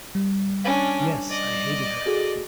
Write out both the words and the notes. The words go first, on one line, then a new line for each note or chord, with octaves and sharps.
Yes, I hated her.
G3
C#4 D4
D5 D#5
F#4 G#4 A4